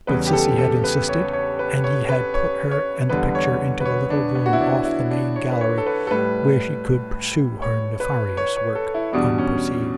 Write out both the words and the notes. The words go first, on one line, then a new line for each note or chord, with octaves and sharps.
But Cissy had insisted, and he had put her and the picture into a little room off the main gallery, where she could pursue her nefarious work unperceived.
E2 C#3 G3 B4
G4
A4
A4
B4
C#5
C#5
B4
C#5
B4
C#5
C#5
E2 D3 G3 B4
C#5
B4
C#5
D4
B3
F#4
E4
D4
E4
D4
C#5
B4
C#5
A4
B4
A4
A2 G3 B4
C#5
B4
C#5
C#5
A4
E4
E2 B2 G3 D4
C#4